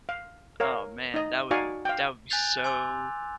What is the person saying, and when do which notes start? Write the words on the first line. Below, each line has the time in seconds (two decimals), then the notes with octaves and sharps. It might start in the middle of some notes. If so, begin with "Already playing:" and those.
Oh, man. That would that would be so
0.09 F5
0.60 A#4 C#5 F5
1.14 D#4 D#5
1.51 D#4 F#4 D5 F5 G#5 C#6
1.85 F5 G5
2.30 G#5 F#6 G6 A6 F7
2.64 G#5 C6 D6 E6